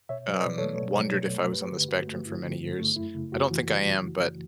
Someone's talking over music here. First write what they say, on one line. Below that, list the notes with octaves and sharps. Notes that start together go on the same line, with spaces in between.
k um, wondered if I was on the spectrum for many years. I don't think I am, but,
B2 C#5 E5
F#3
B4 D5
B2
A3 A4 C#5
B2
F#3
B2
A3
G2 G4 B4
D3
G2 F#4
A3
G2 E4
D3
G2
A3
F#2 E4
C#3
F#2 F#4
E3